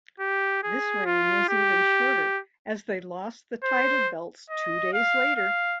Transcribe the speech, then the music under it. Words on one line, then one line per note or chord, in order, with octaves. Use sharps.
This reign was even shorter, as they lost the title belts two days later.
G4
G#4
F4
G4
C5
D#5
F5
F5